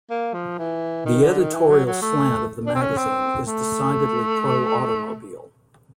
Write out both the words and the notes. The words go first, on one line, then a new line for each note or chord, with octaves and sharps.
The editorial slant of the magazine is decidedly pro-automobile.
A#3
F3
E3
D#3
D3
D#3
E3
F#3
F#3
A3
D4
C4
C#4
C4
A3